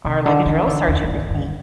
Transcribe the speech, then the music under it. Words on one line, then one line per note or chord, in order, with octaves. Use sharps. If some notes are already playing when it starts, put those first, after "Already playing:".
are like a drill sergeant with me."
C3
D3
E3
D3
E2
E2
G2
G2